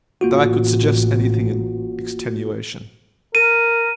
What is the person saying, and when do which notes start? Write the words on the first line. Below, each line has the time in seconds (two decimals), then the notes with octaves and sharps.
That I could suggest anything in extenuation!
0.21 A1 A#3 F4 F#4
3.35 A#4 D#7